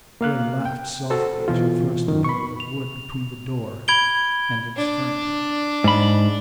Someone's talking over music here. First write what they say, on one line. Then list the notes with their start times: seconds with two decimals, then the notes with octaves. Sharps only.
Ray laughed softly as he thrust a billet of wood between the door and its frame.
0.21 A#3 F5 F#6
0.65 G5
1.10 F#4 A4 C5
1.48 B2 E3 F4
2.08 F#2 D#3
2.24 B5 C#6
2.60 F7
3.88 B5 G#6 D7 G7
4.76 D4
5.84 G#2 B5